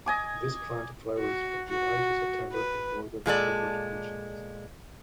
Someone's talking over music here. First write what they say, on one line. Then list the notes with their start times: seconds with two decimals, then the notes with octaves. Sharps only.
This plant flowers from July to September in northern temperate regions.
0.06 D#5 G#5 D6
1.18 F#4
1.69 F#4
2.52 B4
3.26 A#2 G#3 A4 D5